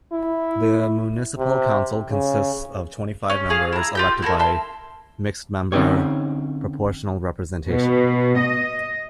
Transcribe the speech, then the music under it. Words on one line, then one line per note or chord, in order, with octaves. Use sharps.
The municipal council consists of twenty-five members elected by mixed-member proportional representation.
E4
C3
C#3
C#4
G#4 F5
E4 A#5
F4 G4 G6
E4 F#4 A4 A#4
E5 A5 C6
D3 C4 C#4 D#4 G4 C#5
B2
D#5